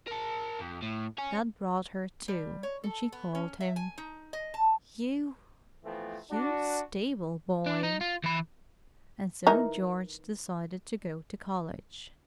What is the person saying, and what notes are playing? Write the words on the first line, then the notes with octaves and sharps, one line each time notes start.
That brought her to and she called him "You--you--stable boy." And so George decided to go to college.
A#4 A5
F2
A2
C#5 G#5
G3
C#5
A4
B3
C#4
E5
G#5
D#4
D#5
A5
E3 F3 A3 B3 C4
D4 F#4
D4
D#4
F4
E3 B5
E3 D#4 A#4